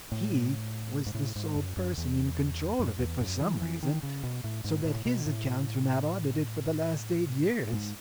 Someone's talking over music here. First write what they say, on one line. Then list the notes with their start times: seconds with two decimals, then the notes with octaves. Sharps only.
He was the sole person in control of it for some reason, so that his accounts were not audited for the last eight years.
0.12 A2
1.06 G#2
1.14 A2
1.36 G#2
1.56 F#2
1.77 F#2
1.97 E2
2.79 F#2
2.99 E2
3.20 F#2
3.41 E3
3.62 E3
3.83 D#3
4.03 C#3
4.23 B2
4.44 A2
4.64 G#2
4.85 A2
5.06 B2
5.26 A2
7.73 G#2